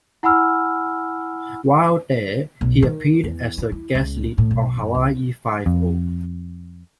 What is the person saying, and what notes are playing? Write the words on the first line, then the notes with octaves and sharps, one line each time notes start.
While there, he appeared as a guest lead on "Hawaii Five-O".
E4 F#5 G#5 B5 E6 F6
B1
D#3
E2
E4
E4
C#2
A2
B1
F#2
C2
F2